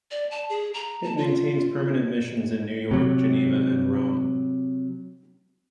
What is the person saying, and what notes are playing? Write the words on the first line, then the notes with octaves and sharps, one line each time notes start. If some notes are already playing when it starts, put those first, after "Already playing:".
It maintains permanent missions in New York, Geneva, and Rome.
D5
A5
G#4
A#5
A5
F4
C3 F#3